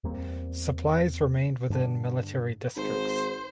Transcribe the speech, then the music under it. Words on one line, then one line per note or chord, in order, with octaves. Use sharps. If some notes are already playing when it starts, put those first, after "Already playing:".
Supplies remained within military districts.
E2 G3 A#3 C4
G2 D3 G3 D4
G#1 C5